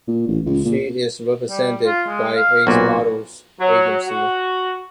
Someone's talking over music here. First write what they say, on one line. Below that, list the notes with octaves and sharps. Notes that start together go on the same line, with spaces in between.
She is represented by Ace Models Agency.
A#2
A1
C#2
A#2
G3
F4
G#3
F5
B1 A#2 F#4
F#3
F#4